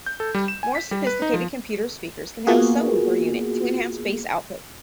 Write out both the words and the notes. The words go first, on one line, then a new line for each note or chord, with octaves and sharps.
More sophisticated computer speakers can have a subwoofer unit, to enhance bass output.
G6
A4
G3
E7
G#5
B6
G3
B4
D#4
F3
A#3 B3 F4 F#4 G#4